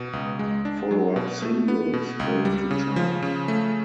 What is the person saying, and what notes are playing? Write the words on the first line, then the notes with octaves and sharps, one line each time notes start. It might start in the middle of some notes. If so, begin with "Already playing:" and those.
Follow-up singles failed to chart.
Already playing: B2
C#2
G#3
D4
F#3
B2
A3
B3
B2
C#2
G3
C#3
F3
C#3
A3